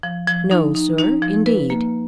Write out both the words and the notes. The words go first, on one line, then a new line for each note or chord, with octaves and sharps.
"No, sir,--indeed."
F3
F3
D#4
D#4
D#4
F3
B4
A#3